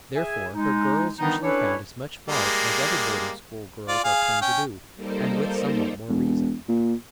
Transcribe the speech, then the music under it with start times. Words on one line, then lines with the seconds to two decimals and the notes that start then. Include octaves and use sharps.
Therefore her girls usually found as much fault as other boarding school girls are prone to do, and with somewhat more reason.
0.15 G#4 E5 G#5
0.53 G#3 D#4
1.18 D#3 E3 G3 B3 D4 D#4
1.42 C#4 D4 E4 A4 B4 C#5
2.29 G3 G#3 A#3
3.88 F4 D5
4.04 G#4 F5
4.42 C#4 G5
4.95 G3 A#3 D#4 A4 A#4 C5
6.08 E1
6.68 A#2